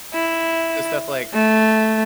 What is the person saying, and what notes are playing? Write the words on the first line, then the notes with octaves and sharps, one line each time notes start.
So, stuff like
E4
A3